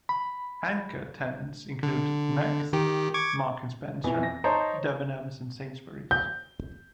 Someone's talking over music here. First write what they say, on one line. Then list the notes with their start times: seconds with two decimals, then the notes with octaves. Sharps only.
Anchor tenants include Next, Marks and Spencer, Debenhams and Sainsbury's.
0.09 B5
1.83 D3
2.73 D#3 G4
3.14 C#6 D6 G#6
4.04 F2 B2 E3
4.23 A#6
4.44 D#4 C5 C#5 A5 A#5 C6
6.11 G6